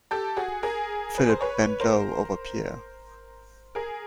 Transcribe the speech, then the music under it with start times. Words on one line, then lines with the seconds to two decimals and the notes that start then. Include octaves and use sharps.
Philip bent low over Pierre.
0.11 G4 A4
0.36 F#4 G#4
0.63 G#4 A#4
1.18 B4
1.30 C5
1.41 B4 C#5
1.80 A#4 C5
3.75 G#4 A#4